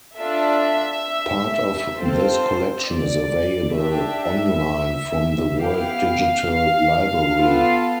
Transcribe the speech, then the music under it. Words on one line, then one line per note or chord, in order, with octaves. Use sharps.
Part of this collection is available on-line from the World Digital Library.
D4 F4 A4 E5
C4 F4 A4 C5
D5
D4 G4 E5
B3 E4 G4 F5
B3 F4 A4